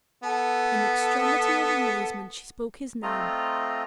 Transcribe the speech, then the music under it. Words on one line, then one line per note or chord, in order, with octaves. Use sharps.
In extremity of amazement she spoke his name.
B3 A4
A3 C4 F4 D#5 A#5